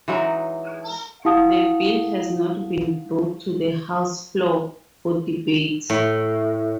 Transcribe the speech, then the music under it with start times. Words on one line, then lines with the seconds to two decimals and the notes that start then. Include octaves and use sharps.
The bill has not been brought to the House floor for debate.
0.08 E3 F#3 G#3 D#4
1.25 E4 G4 F5 F#5 A5 D#6
5.90 A2